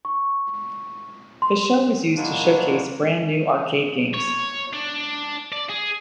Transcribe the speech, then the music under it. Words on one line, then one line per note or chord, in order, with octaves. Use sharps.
The show was used to showcase brand new arcade games.
C#6
C6
A#2 D#3 F#3 G3 A#3 D4
C#5
D4
D5
G#4